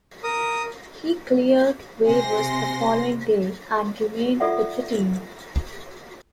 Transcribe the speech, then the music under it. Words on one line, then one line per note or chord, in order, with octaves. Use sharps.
He cleared waivers the following day and remained with the team.
A#4 D#6
C3 G#5 C6 A#6
F4 A4 D5 E5 F#5